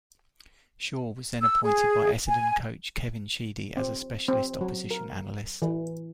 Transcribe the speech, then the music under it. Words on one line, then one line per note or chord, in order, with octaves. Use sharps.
Shaw was then appointed by Essendon coach, Kevin Sheedy as a specialist opposition analyst.
E6
G#4
G#5
C4
C4
F#3
A#4
E3